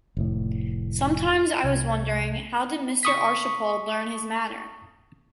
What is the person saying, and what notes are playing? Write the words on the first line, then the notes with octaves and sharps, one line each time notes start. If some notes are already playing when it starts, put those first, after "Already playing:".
Sometimes I was wondering how did Mr Arshipald learn his manner.
F1 A2
C2 C3 G#6
C#6 D#6 B6